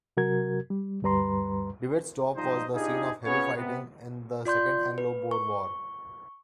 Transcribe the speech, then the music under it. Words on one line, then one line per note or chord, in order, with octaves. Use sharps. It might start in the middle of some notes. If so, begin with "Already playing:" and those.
Dewetsdorp was the scene of heavy fighting in the Second Anglo-Boer War.
C3 F#3 F#4 A#4 G#6
G3
D2 G2 G3 B4 A#5 C6
G#2 F3 G3 D#4 C5 D#5
D4 D#4 F4 G4 G#4
B3 C#4 F4 G#4 C#5
C3 B3
F4 D5 C6 G6
B4
C#6